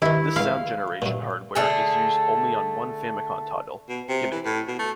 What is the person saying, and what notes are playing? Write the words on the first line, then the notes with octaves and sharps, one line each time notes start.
This sound generation hardware is used on only one Famicom title: "Gimmick!".
D#2 D#3 E4
C#2 F5 B5
F#2 A#2
D3 A3 G#4
B2
C3
E3
A2
B2
A3